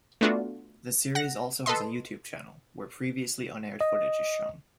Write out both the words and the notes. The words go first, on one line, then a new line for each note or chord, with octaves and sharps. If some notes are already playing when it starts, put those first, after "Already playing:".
The series also has a YouTube channel, where previously unaired footage is shown.
A3 B3 D4 F4 F#4
F#5 A#6
A4 B4 D#5 C6
D#5